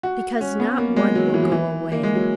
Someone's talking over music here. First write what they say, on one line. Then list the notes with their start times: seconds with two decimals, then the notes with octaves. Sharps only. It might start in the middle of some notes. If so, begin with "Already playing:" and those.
"Because not one will go away."
0.03 F#4
0.41 C#4
0.60 B3
0.78 A#3
0.96 G#3
1.15 F#3
1.34 E3
1.43 F#3
1.52 E3
1.92 A#3
2.03 G#3
2.15 F#3